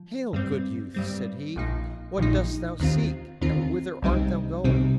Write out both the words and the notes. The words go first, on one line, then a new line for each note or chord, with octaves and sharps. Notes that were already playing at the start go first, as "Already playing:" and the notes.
"Hail, good youth!" said he, "what dost thou seek, and whither art thou going?"
Already playing: F3
G2 G3 C4
G2 G3 C4
A#1 A#2 F3 D#4
A#1 A#2 F3 D#4
D#2 D#3 C4 F4
D#2 D#3 C4 F4
C2 C3 G3 C4 D#4
C2 C3 G3 C4 D#4